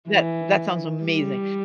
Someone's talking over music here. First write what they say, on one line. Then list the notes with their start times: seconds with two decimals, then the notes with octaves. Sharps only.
That that sounds amazing.
0.10 E3
1.04 G3